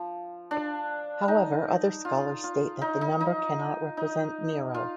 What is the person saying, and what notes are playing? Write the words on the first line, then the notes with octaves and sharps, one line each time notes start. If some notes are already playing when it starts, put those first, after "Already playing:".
However, other scholars state that the number cannot represent Nero.
Already playing: F3
D4
D#4
F4
F4
D#4
D#4
D#4
D#4
F4